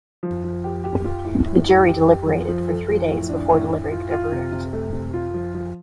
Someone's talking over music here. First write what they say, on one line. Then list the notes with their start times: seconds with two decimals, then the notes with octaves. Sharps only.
The jury deliberated for three days before delivering their verdict.
0.23 F3
0.44 F3
0.64 G4
0.84 G4
1.05 F4
1.25 A2
1.45 A2
1.66 A2
1.87 G4
2.07 G4
2.27 F3
2.48 F3
2.68 A4
2.89 F3
3.09 A2
3.29 D4
3.50 A2
3.71 A2
3.92 F4
4.11 F4
4.32 C3
4.52 C3
4.73 A3
4.93 C3
5.14 F4
5.34 F3
5.55 F3